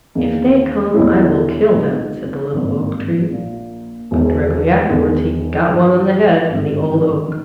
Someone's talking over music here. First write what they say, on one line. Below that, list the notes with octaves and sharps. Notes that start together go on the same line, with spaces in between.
"If they come, I will kill them," said the Little Oak Tree, but directly afterwards he got one on the head from the Old Oak.
E2 D#3 A#3
E2 B2 G3 C#4 E4
B1 B2 G#3
G#1 G2 D#3 A#3
A#1 A#2 A#3
E1 E2 D#3
E1 E2 D#3
G2 E3 G3
G#1 G2 G3
D#3